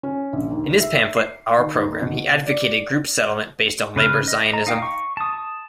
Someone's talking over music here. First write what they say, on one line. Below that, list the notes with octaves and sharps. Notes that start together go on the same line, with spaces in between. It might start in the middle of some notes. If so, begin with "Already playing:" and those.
In his pamphlet "Our Program" he advocated group settlement based on labour Zionism.
C#4
A#1
D#2
E5
C7
D#3
D#2
B2
D5
C#3 B4 C#5 F6
D#5
A#5
D#4 F5 G5
C#6
A5 D#6